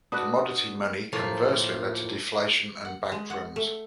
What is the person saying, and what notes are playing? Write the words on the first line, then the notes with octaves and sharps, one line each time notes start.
Commodity money conversely led to deflation and bank runs.
D4 F#4 B4 D#6 F#6
A2 F3 A#3
F#5
G#3
F#5
A3